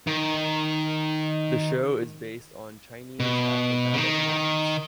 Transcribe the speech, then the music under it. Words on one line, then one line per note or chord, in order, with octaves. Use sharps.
The show is based on Chinese acrobatic acts.
D#3
B2
C#3
D#3